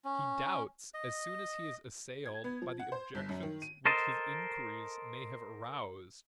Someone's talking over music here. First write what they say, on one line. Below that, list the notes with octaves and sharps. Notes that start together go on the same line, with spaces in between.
He doubts as soon as he is assailed by the objections which his inquiries may have aroused.
C#4
D#5
G#6
B3
F3
F#5
C5
G1
F#2
D#3
D#7
A4 A#4 C5 D#5 A5